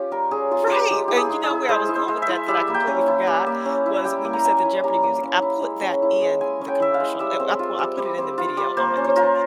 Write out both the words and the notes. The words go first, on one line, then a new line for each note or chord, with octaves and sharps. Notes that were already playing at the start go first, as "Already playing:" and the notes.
Right, and, you know, where I was going with that, that I completely forgot was when you said the Jeopardy music, I put that in the commercial. I I p I put it in the video on my YouTube,
Already playing: C#4 F4 G4
G3 A#4
C#4 G#4
F4 G#4
G3 F4 G4
G#3 G4
E4 G4
G#4
G#3
G#4
E4
G#3 C5
E4
C5
G#3
E5
E4
G3 E5
A#3
G5
C#4
E4
G3
A#3
C#4
E4
G3 G5
A#3
A#5
C#4 G#5
E4
G3 A#5
A#3
C#4
E4
G#3
C#4
E4
G#3
G#3 G#5
C#4
G5
E4 E5
F5
G#3
G3 E5
C4
F4
G3
G3
C4
F4
G3
A#3 C5
C#4
C5
F4 A#4